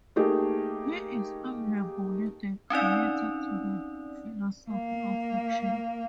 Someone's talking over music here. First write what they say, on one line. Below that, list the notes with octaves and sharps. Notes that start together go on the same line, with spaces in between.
He is arguably the creator of the philosophy of action.
A3 A#3 D#4 G4 G#4
C4 C#4 D#4 D5
A#3